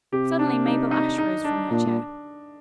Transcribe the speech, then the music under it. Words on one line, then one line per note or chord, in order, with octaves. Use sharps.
Suddenly Mabel Ashe rose from her chair.
C3 G4
D4
D#4
D#4
D#4
D4
A#2 D4
A#2